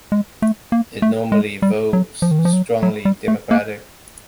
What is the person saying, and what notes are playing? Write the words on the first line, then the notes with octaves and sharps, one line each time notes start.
It normally votes strongly Democratic.
G#3
A3
A#3
A3
G#3
G3
F#3
F3
D#3
E3
F3
F#3
F#3
G3
A3
A#3